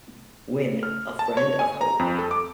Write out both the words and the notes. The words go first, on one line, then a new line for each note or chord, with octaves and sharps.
Wynne, a friend of Hoke.
F6
A5
C#5
G#5
A#5
F2
A4
D6